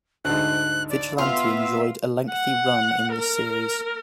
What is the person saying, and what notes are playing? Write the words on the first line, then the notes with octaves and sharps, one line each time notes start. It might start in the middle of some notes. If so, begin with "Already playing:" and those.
Vigilante enjoyed a lengthy run in this series.
D2 G#2 F#6
D5
B3 F4 E5 F5
F#5
A#4